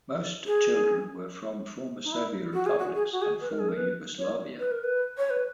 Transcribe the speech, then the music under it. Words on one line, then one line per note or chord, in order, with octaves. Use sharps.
Most children were from former Soviet republics and former Yugoslavia.
G#4
D#4
E4
F#4
G#4
F#4
G#4
F#4
G#4
B4
A#4
G#4
A#4
B4
C#5
B4
A#4
B4
C#5
B4